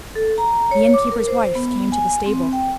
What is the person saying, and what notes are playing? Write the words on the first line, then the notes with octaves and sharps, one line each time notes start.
The inn-keeper's wife came to the stable.
A4
A#5
C#5
D6
A#4
C5
B3
G#5
C4
G5